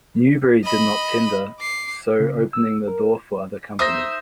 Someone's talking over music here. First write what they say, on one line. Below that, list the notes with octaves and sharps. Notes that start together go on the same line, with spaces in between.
Newbury did not tender, so opening the door for other companies.
D#5 B5
D6 C7
C#3
E6
A#4
D#4 C5 E5 D#6 A#6